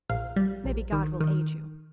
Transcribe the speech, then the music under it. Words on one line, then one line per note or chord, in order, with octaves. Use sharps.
Maybe God will aid you.
A#1 F5
G3
A#1
D#3
D#3